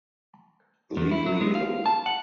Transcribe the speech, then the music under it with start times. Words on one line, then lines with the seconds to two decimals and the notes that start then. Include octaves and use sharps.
Leave me alone.
0.97 E2
1.11 E4
1.26 F#3
1.41 G#3
1.55 F5
1.86 A5
2.06 F#5